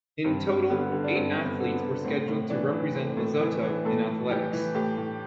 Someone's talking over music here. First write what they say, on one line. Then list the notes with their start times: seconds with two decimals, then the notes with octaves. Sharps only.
In total eight athletes were scheduled to represent Lesotho in athletics.
0.24 G2 C4
0.47 G2
0.70 D3 B3
0.92 D3
1.04 D4
1.15 G2 C4
1.37 G2
1.45 B3
1.60 D3
1.74 B3
1.83 D3
2.04 A2 C4
2.28 A2
2.50 E3 D4
2.72 E3
2.95 A2 C4
3.17 A2
3.40 E3 E4
3.63 E3
3.85 A2 A4
4.08 A2
4.30 E3 G4
4.53 E3
4.75 A2 G4
4.98 A2